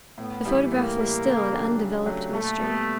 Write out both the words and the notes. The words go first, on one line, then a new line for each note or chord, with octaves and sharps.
The photograph was still an undeveloped mystery.
A2 B3
E3 G3
A2 A#3
E3 G3
C#3
F#3 A3 D4 G4
C#3
F#3 A3 D4 G4
A#2 A3
G3 B3